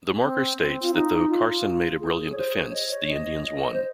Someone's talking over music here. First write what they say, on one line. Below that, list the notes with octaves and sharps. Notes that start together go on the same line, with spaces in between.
The marker states that though Carson made a brilliant defense, the Indians won.
C4
C4
F4
D#4
F4
G#4
C#5
C5
C#5
D#5
C#5
D#5
D#5
C5